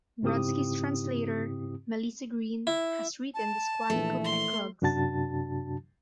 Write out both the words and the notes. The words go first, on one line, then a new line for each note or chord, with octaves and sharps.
Brodsky's translator, Melissa Green, has written "The Squanicook Eclogues".
G#2 C#3 C4 E4 G4 D#6
E4
A5
A#1 E3 A3
C6
F#2 C3 D4 F#4 A5 A6